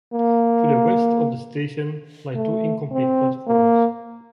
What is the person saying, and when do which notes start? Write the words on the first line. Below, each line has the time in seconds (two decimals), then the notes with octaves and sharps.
To the west of the station, lie two incomplete platforms.
0.13 A#3
2.35 A3
2.92 C4
3.47 A#3